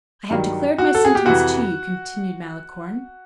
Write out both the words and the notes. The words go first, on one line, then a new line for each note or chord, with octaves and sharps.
"I have declared my sentiments to you," continued Malicorne.
G2 D#3 F#3
F#4
A4
G#4
G4
F2 C3 E3 F#4